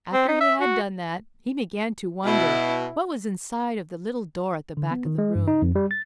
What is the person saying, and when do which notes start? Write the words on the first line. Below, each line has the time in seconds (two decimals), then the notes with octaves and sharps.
After he had done that, he began to wonder what was inside of the little door at the back of the room.
0.13 C4
0.28 D#4
0.41 E5
0.61 F#4
2.25 B2 E4
4.77 D3
4.91 B3
5.05 D#3
5.18 G#3
5.35 G2
5.48 D#4
5.62 F2
5.75 G3
5.91 A6